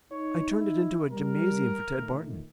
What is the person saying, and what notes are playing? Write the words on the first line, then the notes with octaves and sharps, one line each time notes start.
I turned it into a gymnasium for Ted Barton.
D#4 C#5
E4
G3 A#4
A#2 D#3 A3